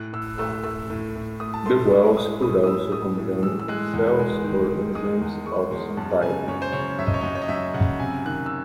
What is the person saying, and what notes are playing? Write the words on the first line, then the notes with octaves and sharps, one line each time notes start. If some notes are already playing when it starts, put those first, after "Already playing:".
The wells could also contain cells or enzymes of some type.
Already playing: A2 F#6
A2 E6
A3 E6
A3 E6
A2
A2
A3 D#6
A5
A3 C6
G#3 C#6
A2 D#6
A2 D#6
D#6
A2 E6
A2 D#6
A2
E3 E6
E6
G#3 F#6
E2
G#3
D#3
D#3
G#3 D#6
E2
G#3 C#6
E2 C6
F#2 A5
C#3 G#5
F#2 C#5
C5
C#3 C#5
F#2 E5
D#5
C#5
F#2 D#5
C#5
D#5
F#2 E5
C#3 F#5
C3 G#5
D#3 F#6
E6